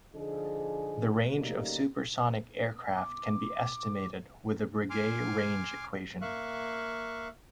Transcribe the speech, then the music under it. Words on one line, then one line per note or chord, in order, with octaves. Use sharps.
The range of supersonic aircraft can be estimated with the Breguet range equation.
D3 F3 D#4 G#4
C#3 F#3 G3 A3 A#3 D#4
D6
G#5 C6 D6 F6
A#3 E5 F5 C#6 F#6